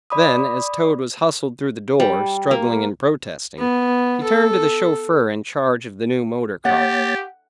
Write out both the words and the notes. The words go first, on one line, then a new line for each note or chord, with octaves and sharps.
Then, as Toad was hustled through the door, struggling and protesting, he turned to the chauffeur in charge of the new motor-car.
D5 B5 D6 D#6
G3
A#3
B3
A4
A#3 G4 C#5 F#5 A6